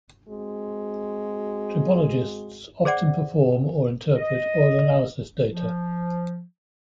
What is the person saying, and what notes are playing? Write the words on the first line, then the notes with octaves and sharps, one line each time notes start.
Tribologists often perform or interpret oil analysis data.
G#3 C4 F#4
G#4 C5 D5 F#5
D#5
F3